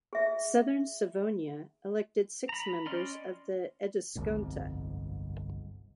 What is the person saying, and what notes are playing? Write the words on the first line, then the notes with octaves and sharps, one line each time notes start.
Southern Savonia elected six members of the "Eduskunta".
G#4 E5
A#5 B5
C#4 D5 D#5 C6 F6
G1 C2 F2 G#2